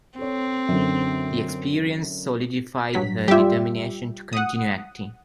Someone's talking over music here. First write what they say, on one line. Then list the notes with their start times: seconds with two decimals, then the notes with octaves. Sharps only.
The experience solidified her determination to continue acting.
0.18 C4 A4 C#5
0.68 F#2 D3
2.94 G2 F#3 B6
3.28 G3 F4 G4 E5
4.33 F#5 D#6